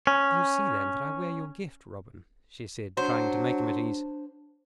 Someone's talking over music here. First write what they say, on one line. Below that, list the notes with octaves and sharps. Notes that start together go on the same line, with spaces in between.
"You see then that I wear your gift, Robin," she said, trying to make him at ease.
C#4
F#3 D4 C5